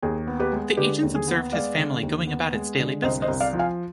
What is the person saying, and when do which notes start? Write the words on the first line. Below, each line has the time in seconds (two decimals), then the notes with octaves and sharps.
The agents observed his family going about its daily business.
0.02 D#2 G#4
0.27 B3
0.39 G4 B4
0.52 G#3
0.77 D3 G4 B4
1.03 D#2
1.15 G#4
1.28 B3
1.52 G#3 D5 F5
1.77 D3
2.03 D#2
2.27 B3
2.53 G#3
2.78 D3
3.03 C2 C5 D#5
3.22 C5 D#5
3.28 C2
3.41 D5 F5
3.53 F3
3.59 F5 G#5